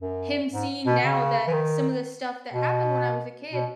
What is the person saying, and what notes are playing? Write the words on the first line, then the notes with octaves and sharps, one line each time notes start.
him seeing now that some of the stuff that happened when I was a kid
F#2
G#2
B2
C#3
E3
D#3
B2
B2